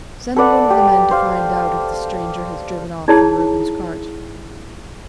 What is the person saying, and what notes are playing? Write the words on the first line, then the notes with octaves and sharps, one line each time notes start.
"Send one of the men to find out if the stranger has driven off in Reuben's cart."
A4 B4 D5 F#5
G4
C5 F5
D#4 E4 G#4 C#5 A5 A#5